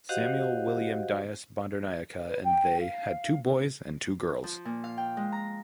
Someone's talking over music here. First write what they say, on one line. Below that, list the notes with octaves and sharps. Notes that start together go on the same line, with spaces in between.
Samuel William Dias Bandaranaike and they had two boys and two girls.
F#4 G4 C5 D#5 F5 F#5
B4
G5
F5
F3
A#2
F5
G5
G#3
A#5